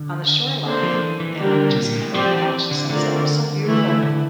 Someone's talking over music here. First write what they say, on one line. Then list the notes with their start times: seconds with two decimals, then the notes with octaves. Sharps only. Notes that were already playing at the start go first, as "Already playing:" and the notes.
on the shoreline, and just kind of watch the sunset. It was so beautiful,
Already playing: D3
0.64 A#3 D4 A4 C5
0.83 F3
1.02 E3
1.20 E3
1.39 D3 G3 D4 G4 A#4
1.69 C3
1.77 A#2
1.96 A2
2.14 F3 C4 G4 D5
2.25 F3
2.33 E3
2.71 D3
2.90 D3 A3 C4 F4 A#4 D5
3.65 E3 A3 E4
4.03 D3